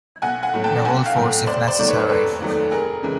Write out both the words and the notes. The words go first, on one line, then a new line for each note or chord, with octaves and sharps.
The whole force if necessary!
B1 F#5 G#5
F#5 G#5
A2 F#3 A3
G5 A5
A5
B1 F#5 G#5
F5 G5
A2 F#3 A3
F1 C5 D5
C5 D5
D#2 D#3 F#3 A3 D5
B4 C#5
F1 A4 B4
D#2 D#3 F#3 A3
F1 G#4 A#4
C#3 E3 G#3